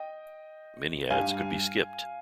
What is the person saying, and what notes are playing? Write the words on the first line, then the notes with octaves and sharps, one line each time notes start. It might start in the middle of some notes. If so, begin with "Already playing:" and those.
Many ads could be skipped.
Already playing: D#5 G5
G2 G3 F5 G#5